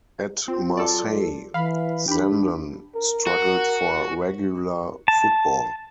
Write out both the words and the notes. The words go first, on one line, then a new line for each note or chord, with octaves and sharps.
At Marseille, Zenden struggled for regular football.
C4 F4
F#3 A4 D5
E3 F5 B5
D4 G4 B5
A#4
F#4
A5